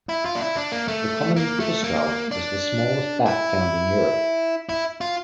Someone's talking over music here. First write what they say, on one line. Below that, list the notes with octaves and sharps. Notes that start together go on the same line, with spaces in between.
The common pipistrelle is the smallest bat found in Europe.
E4
F4
D4
E4
D4
A#3
A3
A#3
A3
A#3
D4
E4
E4
F4